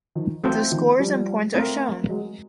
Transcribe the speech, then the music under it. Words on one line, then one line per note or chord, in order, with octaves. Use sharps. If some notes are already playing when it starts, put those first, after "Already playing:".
The scores in points are shown.
D#3 F3
E3 F#3 A3 C4 F4 A4 C5
D#3 F3
F3 G3
A3 C4 F4 A#4
F#3 G#3